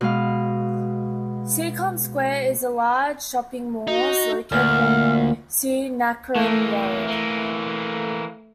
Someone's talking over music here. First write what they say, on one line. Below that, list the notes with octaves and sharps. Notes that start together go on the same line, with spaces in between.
Seacon Square is a large shopping malls located on Si Nakharin Road.
B2 G#3 F5
D#4 F#4
D2 A#2 F6
E3 A3 A#3
E3 A#3